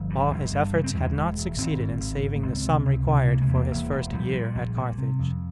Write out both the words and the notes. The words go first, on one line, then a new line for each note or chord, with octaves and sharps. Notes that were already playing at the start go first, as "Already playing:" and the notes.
All his efforts had not succeeded in saving the sum required for his first year at Carthage.
Already playing: G1 F3
G2
G1
G2
C#3 G3
C4
E2 G#3
G#3
E1
E1
G#1 C4
G#2
G#1
G#2
A#3
C#2 C4
C3
C#2
C3
C#3 A#3
G#3
E2
A#3
E1
E1
A#1 G3
A#2
A#1
A#2
C3
F2